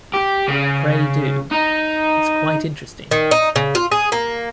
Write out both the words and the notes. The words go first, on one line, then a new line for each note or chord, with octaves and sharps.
Pray, do; it's quite interesting.
G4
C#3
D#4
D#3
D#4
C#3
F4
G#4
A#3